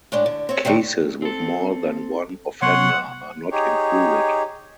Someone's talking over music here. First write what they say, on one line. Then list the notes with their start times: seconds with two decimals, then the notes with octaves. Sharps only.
Cases with more than one offender are not included.
0.12 A2 G#3 D4
0.26 D3
0.49 C4 C#5
0.65 A2 D3 G3 C4
1.22 C4 A4
2.62 C3 F#3 B3 C#5 F#5 C6
3.52 D#4 G4 G#4 C#5